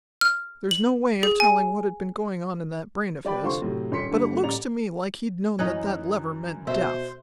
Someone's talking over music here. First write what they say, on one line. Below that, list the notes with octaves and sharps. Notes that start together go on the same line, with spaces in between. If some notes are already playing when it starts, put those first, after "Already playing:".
There's no way of telling what had been going on in that brain of his, but it looks to me like he'd known that that lever meant death.
F6
F#7
G#4
G#5
G3 D5 G5 B5
F1 D2 F4 C5 C6 C#6
A2 C3 F#3
D#1 C#4 C6 B6 C#7
G1 D2 G2 A#3
A1 G3 D5 A#5 F7
F#2 E3 C#4 D#4 F#6
B2 C5 E5